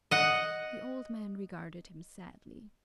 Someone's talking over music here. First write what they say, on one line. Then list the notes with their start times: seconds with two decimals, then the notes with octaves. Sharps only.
The old man regarded him sadly.
0.11 D#5 F#5